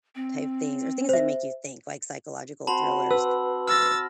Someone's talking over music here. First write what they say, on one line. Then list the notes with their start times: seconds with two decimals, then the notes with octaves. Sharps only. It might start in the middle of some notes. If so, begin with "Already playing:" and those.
type things, or things that make you think, like psychological thrillers
0.15 C4
1.09 C5 E5
2.67 C4 F#4 C5 A5 B5 F#7
3.11 B4 E6
3.67 E6 F6 A6 A#6